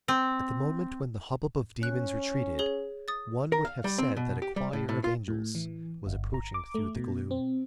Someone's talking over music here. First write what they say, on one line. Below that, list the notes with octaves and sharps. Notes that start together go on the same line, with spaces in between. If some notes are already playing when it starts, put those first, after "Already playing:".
At the moment when the hubbub of demons retreated, one would have said that a choir of angels was approaching through the gloom.
C4
C#4 F#6
G#4 C#5 G7
D#6 A6
A#4
F5
G3
C4
B2
G4
G3
A2
A2
F4
A2
E3
G1
A#5
D6
A3
B2
C4